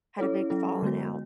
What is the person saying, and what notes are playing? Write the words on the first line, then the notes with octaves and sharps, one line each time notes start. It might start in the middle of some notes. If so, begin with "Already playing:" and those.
had a big falling out.
C#4 E4 A4 C#5
F#3 C#4 E4 A4
D3 G#3 B3 F#4